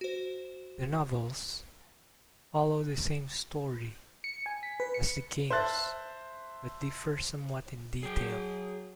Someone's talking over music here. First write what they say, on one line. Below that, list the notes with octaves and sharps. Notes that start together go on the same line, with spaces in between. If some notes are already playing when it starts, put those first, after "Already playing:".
The novels follow the same story as the games but differ somewhat in detail.
F#4 C5
C#7
G#5
B6
B4
C#7
C5 E5 A5 F#6 A6
F#3 G#4 G5